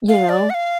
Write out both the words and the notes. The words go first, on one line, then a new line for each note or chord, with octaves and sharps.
you know?
F5
D5
F#5
F5